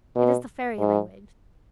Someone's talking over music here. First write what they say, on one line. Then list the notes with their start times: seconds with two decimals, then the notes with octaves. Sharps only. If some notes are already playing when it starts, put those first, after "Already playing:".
It is the fairy language.
0.16 B2
0.79 G#2